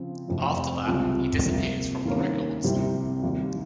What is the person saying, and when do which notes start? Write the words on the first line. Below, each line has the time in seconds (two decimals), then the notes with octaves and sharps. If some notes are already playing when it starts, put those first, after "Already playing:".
After that he disappears from the records.
Already playing: C#3 F3 C4
0.28 F1 F2 C3
0.87 C#2 C3 G3 C4 F4
1.46 C3 G3 A#3
2.05 D#2 D#3 G3 A#3 C#4
2.64 C2 C3 G3 C4 G4
3.23 D#2 D#3 G3